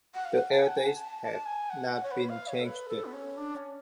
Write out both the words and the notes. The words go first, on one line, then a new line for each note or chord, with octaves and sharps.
The air dates have not been changed.
F#5
F5
F#5
A5
G#5
F#5
G#5
A5
A5
G#5
F#5
F#5
C#5
B4
F5
C#5
A4
B4
A4
B3
C#4
D4
C#4